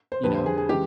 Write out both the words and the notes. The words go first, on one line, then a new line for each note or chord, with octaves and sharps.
you know?
C5
F2 D3 G3 B4
C5
G#4
G#4
C#3 E3 G#3 G4